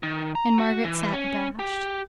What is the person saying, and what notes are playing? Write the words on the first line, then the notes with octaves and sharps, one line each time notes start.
And Margaret sate abashed.
D#3
A#5
F#4
E3
C#4
G4